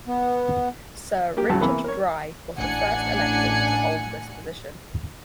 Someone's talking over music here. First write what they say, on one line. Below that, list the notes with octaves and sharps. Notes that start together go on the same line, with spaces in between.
Sir Richard Dry was the first elected to hold this position.
B3
A#3 G4
C#2 G2 F#3 A5
C3 E3 A#3 B3
A#4 C#5
A1 D4 F#5 G#5 C#7